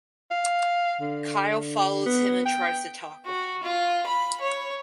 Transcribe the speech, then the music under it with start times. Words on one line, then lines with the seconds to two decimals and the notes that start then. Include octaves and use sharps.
Kyle follows him and tries to talk with him.
0.31 F5
1.01 D3
2.06 B3
2.45 G5
3.25 F#4
3.63 F4
4.06 B5
4.41 C#5